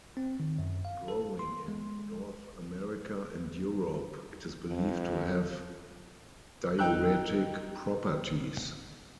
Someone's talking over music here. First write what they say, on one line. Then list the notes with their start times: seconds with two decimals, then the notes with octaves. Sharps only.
Growing in North America and Europe, it is believed to have diuretic properties.
0.17 C4
0.40 D#3
0.58 F#2
0.85 F5
1.08 A4
1.39 C6
1.68 G#3
4.68 F2
6.79 D#4 G5 E6 F#6